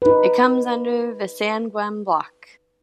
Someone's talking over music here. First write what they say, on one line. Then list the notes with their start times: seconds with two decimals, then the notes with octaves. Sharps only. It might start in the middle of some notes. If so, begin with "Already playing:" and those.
It comes under the Sanguem block.
0.02 D#4 B4